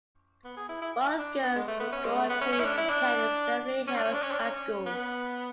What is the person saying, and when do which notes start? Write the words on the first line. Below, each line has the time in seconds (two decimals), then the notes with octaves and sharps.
Both girls would go on to attend Beverly Hills High School.
0.45 B3
0.57 G#4
0.69 E4
0.82 E4
1.19 D4
1.43 B3
1.55 G#3
1.68 A3
1.80 B3
1.93 C#4
2.05 G#3
2.16 A3
2.29 B3
2.41 C#4
2.53 C#4
2.60 E4
2.65 D4
2.78 E4
2.89 D4
3.88 C#4
3.96 D4
4.05 C#4
4.13 D4
4.23 C#4
4.31 D4
4.40 C#4
4.86 B3